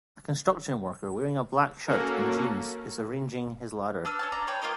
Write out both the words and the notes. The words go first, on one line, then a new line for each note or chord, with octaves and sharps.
A construction worker wearing a black shirt and jeans is arranging his ladder.
A#3 C#4 F#4 A4 A#4
D4 B4 E6 F6
C#4 C#5 A5
D5 A#5
B4 C#5 G5
A#3 F4 A#4 D#5